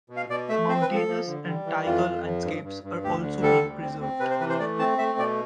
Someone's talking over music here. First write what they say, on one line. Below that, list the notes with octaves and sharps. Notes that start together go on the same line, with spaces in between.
Mountainous and taiga landscapes are also being preserved.
B2
F5
B2 D5
A3 E5
C4 C5
B4
F3
A4
F3
D3
G3
E3
F2 F4
F2
F3
G2
G2
G2
D2 G4
D3
G3 A4
D2
C4
C4
C3 B4
C5
E3 B4
C5
A3 D5
C4 A5
A3 E5
B2 D5